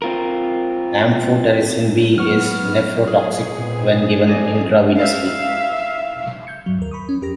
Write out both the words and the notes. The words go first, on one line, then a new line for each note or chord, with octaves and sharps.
Amphotericin B is nephrotoxic when given intravenously.
C4 F4 A#4
F#3 B3 F#5 C#6 F6
G#4
A#2 B3 C4
A2 A4 D5 D#5 G#5
E5 F5
G6 G#6 C#7
G2 F#3
D#2 A#4
B5 C#6 D#6
C#4
F2 G4 A#4 A#6